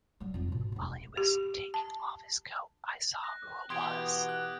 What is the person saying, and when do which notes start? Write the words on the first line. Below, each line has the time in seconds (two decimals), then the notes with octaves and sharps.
While he was taking off his coat I saw who it was.
0.20 F#3 G3
0.34 F2 F4
0.48 G#2 B2
0.72 E1 B1
1.17 G4
1.74 A5
3.23 F#6 A#6
3.70 B2 E3 B3 G4 C6 D#6 G#6 D7
4.29 F#6